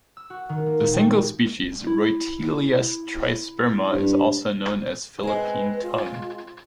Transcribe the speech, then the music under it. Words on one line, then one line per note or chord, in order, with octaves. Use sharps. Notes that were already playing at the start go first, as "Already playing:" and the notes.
The single species, Reutealis trisperma is also known as Philippine tung.
E6
F#4
D#3
A#3
A#2
G5
G#3
E4
G2
G#3 C4 G#4 B4
F4